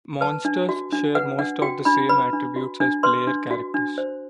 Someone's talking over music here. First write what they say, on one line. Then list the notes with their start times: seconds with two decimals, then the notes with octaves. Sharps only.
Monsters share most of the same attributes as player characters.
0.21 B4 A5
0.45 D4
0.69 F#4
0.92 D4
1.15 B4 F#5
1.39 D4 F#5
1.62 F#4 G5
1.85 D4 B5
2.09 B4 B5
2.33 D4
2.56 F#4
2.80 D4
3.03 B4 C6
3.27 D4
3.51 F#4
3.74 D4
3.98 C5